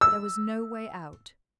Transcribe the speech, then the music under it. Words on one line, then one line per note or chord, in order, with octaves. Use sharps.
There was no way out.
E6